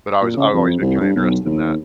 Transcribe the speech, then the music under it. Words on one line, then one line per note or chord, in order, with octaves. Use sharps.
But I was I've always been kinda interested in that.
A#2
C#3
F2
C2
G2
B1
D#2